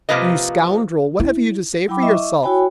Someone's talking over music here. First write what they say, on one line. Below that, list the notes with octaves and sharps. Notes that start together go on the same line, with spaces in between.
You scoundrel, what have you to say for yourself?
C3 F3 A#3 F4 B4 D#5
E4
F#3 E4 G5 B5 D6
E4 D#5 E5 C#6 D6
E4 F#4 C#5 G5 G#5 B5